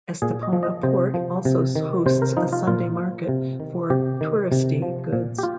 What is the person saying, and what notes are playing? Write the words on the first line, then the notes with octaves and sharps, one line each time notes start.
Estepona port also hosts a Sunday market for "touristy" goods.
A#2 G#4
D#5
F3
D#5
C3 C5
F3
C3
D#3
C3 C5
A#4
F3 D#4
F4
A#2 F4
F3
C3
D#3
C3 G4
D#3
C3
F3
A#2
G4
F4